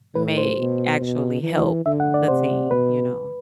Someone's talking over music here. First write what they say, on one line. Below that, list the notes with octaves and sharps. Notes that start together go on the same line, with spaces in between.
may actually help the team, you know?
A2 B4
C5
B2
B2
E3
D3 E5
F#5
D5
C3 C5
B2 B4